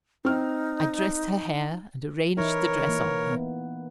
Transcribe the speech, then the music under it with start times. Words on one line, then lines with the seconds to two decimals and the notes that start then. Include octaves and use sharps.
I dressed her hair, and arranged the dress on her.
0.25 C4 D#4 F6
2.37 E3 D#4 E4 A#4 C#5
2.87 E3 A#3
3.29 B3